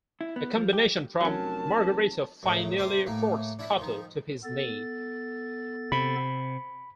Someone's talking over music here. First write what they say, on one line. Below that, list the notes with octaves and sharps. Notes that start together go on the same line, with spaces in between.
A combination from Margarito finally forced Cotto to his knee.
E4
B3
F3
G4
F1 F#3 C#4 A#4 A5
F#2 A2 C#3
C3 G4 C6 D6
A2 A3 A#3
D4 E4 E5
D#3 F3
B3 A4 A6
C3 B5